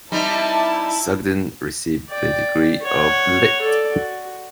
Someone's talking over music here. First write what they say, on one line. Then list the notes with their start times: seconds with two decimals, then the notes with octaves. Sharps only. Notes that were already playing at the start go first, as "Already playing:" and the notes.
Sugden received the degree of Litt.
0.12 G3 C4 D#4 E4 A5
2.10 D5 G5
2.83 C#5 F#5
3.62 A4 D5
3.93 F#4